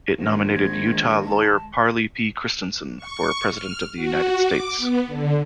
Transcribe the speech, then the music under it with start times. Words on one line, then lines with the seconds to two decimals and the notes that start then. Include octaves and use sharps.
It nominated Utah lawyer Parley P. Christensen for President of the United States.
0.18 A#1 D#3 G#3
0.55 G#6
1.25 A5
2.97 C#6
3.51 F6
3.96 F#4
4.44 D6
4.77 B3
5.07 D3